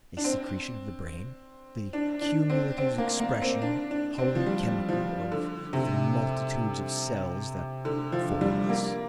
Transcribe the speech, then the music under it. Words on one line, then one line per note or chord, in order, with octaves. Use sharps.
A secretion of the brain? The cumulative expression, wholly chemical, of the multitudes of cells that form us?
D4
C4
D4
D4
C4
C4
A#3
A#3
C4
D4
D4
C4
F3
G3
F3
D3
C3
D3
F3
G3
A#3